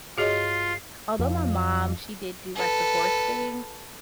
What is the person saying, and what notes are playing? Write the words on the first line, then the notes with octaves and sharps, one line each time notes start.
although my mom, she did do like the horse thing,
G2 F4 F#4 G#4 C#5 D#5 C7
F2
A4 B4